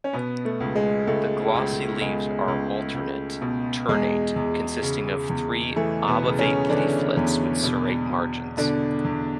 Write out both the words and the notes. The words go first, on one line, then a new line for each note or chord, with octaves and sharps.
The glossy leaves are alternate, ternate, consisting of three obovate leaflets with serrate margins.
C#4
B2 B3
A3
C#2
G#3
C#2 A3
C#2
C#2 G#3
C#2
C#2
B2
E2 G#3
E2
C#3
E2
E3 A3
B2 B3
C#3
C#3 C#4
D3 E3 D4
E2
B2
B2
B2 D3 D4
E2